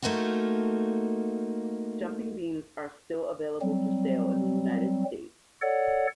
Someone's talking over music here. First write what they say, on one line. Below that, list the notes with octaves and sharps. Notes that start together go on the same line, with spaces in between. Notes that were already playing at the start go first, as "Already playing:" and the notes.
Jumping beans are still available for sale in the United States.
A3 A#3 D#4 F4 F#4
F#3 G3 C4
A4 C#5 D5 F#5